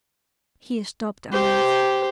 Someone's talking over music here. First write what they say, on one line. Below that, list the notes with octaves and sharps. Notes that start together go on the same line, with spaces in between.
He stopped amazed.
G4 C5